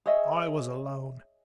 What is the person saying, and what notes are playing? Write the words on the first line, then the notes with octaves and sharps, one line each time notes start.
I was alone.
G#4 C#5 D#5 E5